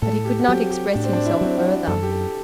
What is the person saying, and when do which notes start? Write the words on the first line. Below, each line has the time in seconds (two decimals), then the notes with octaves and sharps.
But he could not express himself further.
0.02 A2 A4
0.25 G4
0.39 F#4
0.48 F#3 C4 G4
0.72 G4
0.94 A2 D4
1.04 C4
1.13 D4
1.26 E4
1.41 F#3 C4
1.57 F#4
1.87 F#2 A4
2.03 G4
2.11 A4